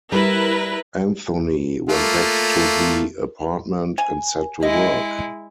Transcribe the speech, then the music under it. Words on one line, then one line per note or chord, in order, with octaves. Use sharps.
Anthony went back to the apartment and set to work.
G3 E4 A#4 B4
A3 A#3 F4
G#5
G#3 E4 D#5